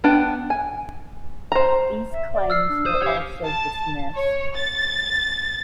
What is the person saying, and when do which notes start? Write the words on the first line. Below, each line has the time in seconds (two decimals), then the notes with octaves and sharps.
These claims were also dismissed.
0.04 B3 D4 G5
0.50 G#5
1.52 C5 A#5
2.13 E5
2.35 D5
2.50 E6 F6 C7
2.69 D4
2.86 C5 D#6
3.03 G4 C#5 F5
3.44 A5
4.14 C#5
4.56 A6